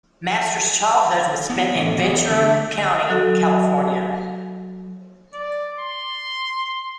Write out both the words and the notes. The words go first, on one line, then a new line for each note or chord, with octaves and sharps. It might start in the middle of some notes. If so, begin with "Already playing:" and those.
Masters' childhood was spent in Ventura Country, California.
B3 E4
A2 D3 E3
E3 F#3 G#3 A#3 B3
D3 A3
F#3 F#4 A4
D5
C6